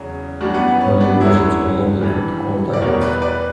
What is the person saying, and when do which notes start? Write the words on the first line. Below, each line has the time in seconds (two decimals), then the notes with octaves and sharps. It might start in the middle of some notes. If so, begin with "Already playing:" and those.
Early versions were loaded with cordite.
Already playing: E2 C#3 F#3
0.41 F#2 E3 G3 D4 F#4
0.54 B3 D4
0.68 B3
0.81 C#4
1.00 B3 D4
1.21 E2 D3 F#3 C#4 E4
2.01 G2 E3 G3
2.73 D5
2.81 E2 B2 G3 A#4 C#5
3.01 B4 D5
3.22 B4 D5